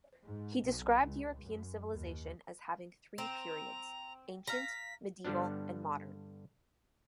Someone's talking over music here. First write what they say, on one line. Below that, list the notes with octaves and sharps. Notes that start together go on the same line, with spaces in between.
He described European civilisation as having three periods: ancient, medieval and modern.
G#2
B1
C#2
F#2
D#2
C4 A#5
F5 A#5 B6
G2 D3 G3 B3 D4